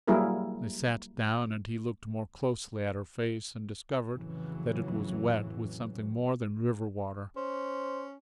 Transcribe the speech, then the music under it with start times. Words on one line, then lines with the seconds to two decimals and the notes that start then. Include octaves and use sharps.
They sat down, and he looked more closely at her face and discovered that it was wet with something more than river water.
0.08 F#3 G3 A#3 E4 G#4 A#4
4.13 F2 A2 C#3 E3 F#3
7.36 C#4 C5